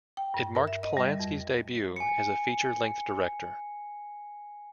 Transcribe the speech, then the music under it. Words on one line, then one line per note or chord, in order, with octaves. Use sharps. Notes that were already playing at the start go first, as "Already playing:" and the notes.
It marked Polanski's debut as a feature-length director.
G5
G2
A#4
E5
D#5
G3
F2
G#5 C#7